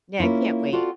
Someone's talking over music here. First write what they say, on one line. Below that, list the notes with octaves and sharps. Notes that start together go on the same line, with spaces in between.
Yeah, I can't wait.
A#3 C#4 E4 F4
C4 F4 F#4 A4 D5